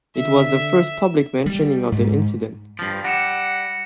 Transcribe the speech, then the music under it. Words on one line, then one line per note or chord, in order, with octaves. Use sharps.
It was the first public mentioning of the incident.
D3 E5
G3
G#2
G2 F3
G3 F#5 A#6 C#7 E7